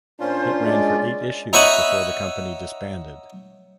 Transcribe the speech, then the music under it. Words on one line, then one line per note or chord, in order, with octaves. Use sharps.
It ran for eight issues before the company disbanded.
A#2 C#4 D4 F4 C5
G#3 D5
D#4 C#5 E5 F#5 B5 D#6